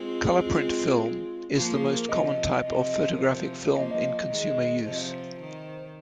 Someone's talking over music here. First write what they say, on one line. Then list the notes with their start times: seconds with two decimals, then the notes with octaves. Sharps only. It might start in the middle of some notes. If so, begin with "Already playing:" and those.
Color print film is the most common type of photographic film in consumer use.
Already playing: G#3 C4 F4
0.45 F4
1.54 F3 A#3 F4
1.73 G#4
1.91 A#4
2.09 C3 F3 D#5
2.64 C3 F3
3.11 A#4
3.19 C5
3.33 C5
3.47 C5
3.61 C5
3.74 F3 A#3 D#5
3.83 C5
3.91 D#5
4.29 D#3 G#3
4.84 C3 F3 C5
4.92 D#5
4.99 C5
5.40 D#3